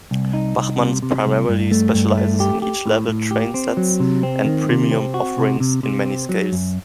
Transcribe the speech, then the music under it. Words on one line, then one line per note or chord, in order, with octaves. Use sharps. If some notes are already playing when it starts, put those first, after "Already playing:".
Bachmann primarily specializes in entry level train sets, and premium offerings in many scales.
C2
D#4
C2
C3
C3
C2
G2
A3
G2
A3
G4
G4
A2
A2
G4
C4
F#3
C3
C4
D#3
C3
C4
F#4
C3
C3
C3
C4
F#3
F#2